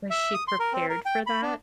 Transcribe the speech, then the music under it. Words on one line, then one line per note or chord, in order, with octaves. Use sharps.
Was she prepared for that?
E5
D#6
C6
A#4
C4
A#4
G5
B5
D4